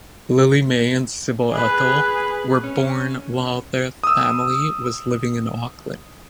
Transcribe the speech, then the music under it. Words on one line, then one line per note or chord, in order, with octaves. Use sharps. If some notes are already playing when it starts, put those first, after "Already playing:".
Lily May and Cybele Ethel were born while the family was living in Auckland.
G#4 B4
C#4
D#6 E6